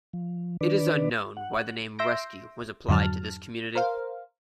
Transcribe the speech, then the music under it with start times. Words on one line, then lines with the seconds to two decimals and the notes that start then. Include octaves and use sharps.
It is unknown why the name Rescue was applied to this community.
0.13 F3
0.61 D#3 D4 B4 D5
1.37 F#5
1.99 E5 C6 E6 G6 A#6 D7
2.88 F2 G#2 D3 F#3 A5 F6
3.75 A#4 C5 F5